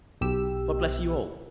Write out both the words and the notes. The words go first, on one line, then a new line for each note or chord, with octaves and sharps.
God bless you all!
B1 G4 E6